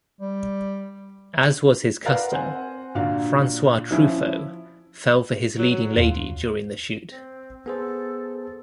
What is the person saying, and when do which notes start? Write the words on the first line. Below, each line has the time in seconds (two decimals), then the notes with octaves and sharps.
As was his custom, Francois Truffaut fell for his leading lady during the shoot.
0.21 G3
2.05 F4 A#4 B4 D5 F5 F#5
2.32 C4 C5 F#5 G#5
2.95 A#2 D3 F#4 F5
3.91 F3 C#4 E4
5.58 F#3
5.70 F#3
5.97 D#2 F4
7.10 C4
7.66 B3 G#4 A4 C5
8.41 A4